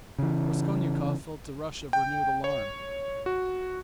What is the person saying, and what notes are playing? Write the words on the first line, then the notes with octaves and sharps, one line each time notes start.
Raskolnikov felt a rush of renewed alarm.
C#3 E3
G5
C#5
F#4